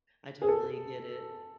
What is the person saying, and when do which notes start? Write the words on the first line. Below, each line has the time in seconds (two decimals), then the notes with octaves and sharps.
I totally get it.
0.42 G#4
0.48 A4